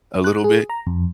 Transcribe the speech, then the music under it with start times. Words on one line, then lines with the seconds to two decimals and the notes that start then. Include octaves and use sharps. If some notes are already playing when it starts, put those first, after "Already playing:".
a little bit,
0.24 F#6
0.44 G#4
0.70 A#5
0.87 F2